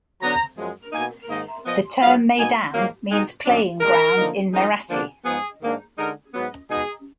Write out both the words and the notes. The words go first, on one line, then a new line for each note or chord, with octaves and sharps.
The term maidan means "playing ground" in Marathi.
D3 F#3 B3 D4 A#5
F#2 F3 G#3
B2 A#3 D#4 G#5
G#2 D#3 A#3 D#4 D#5
A#2 F3 B3 D#5
G#2 F#3 B3 F5
B2 A#3 D#4 G#5
G#2 F#3 A#3
B2 G#3 D#4
F#2 D#3 F#3 D4
A#2 G#3 D4 A#4
D3 F3 A#3 D#4
F#2 F3 G#3 D#4
D3 F3 A#3 D4
G#2 F3 B3 G#4
G#2 D#3 A#3 D4
D3 G#3 D#4 A#4
G#2 F#3 B3
B2 G#3 D#4 G#4